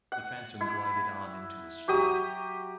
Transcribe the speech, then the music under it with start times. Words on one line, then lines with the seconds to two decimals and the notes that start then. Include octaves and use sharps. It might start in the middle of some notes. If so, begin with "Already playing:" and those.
The Phantom glided on into a street.
0.12 F#5
0.61 E4
1.88 F#3 G4 D#6